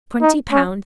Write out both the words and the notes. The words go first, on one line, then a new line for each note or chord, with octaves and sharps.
Twenty pounds!
D#4
C#4